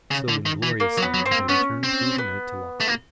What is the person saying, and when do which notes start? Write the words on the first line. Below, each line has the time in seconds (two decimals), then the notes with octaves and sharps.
So, ingloriously, they returned through the night to Locksley.
0.11 C#3
0.29 D3
0.46 D#3
0.63 E3
0.80 A#3
0.98 F#3
1.02 B3
1.14 F#3
1.26 C4
1.32 A#3
1.49 B3 C#4
1.83 C4
2.18 B3
2.80 A3
2.88 A#3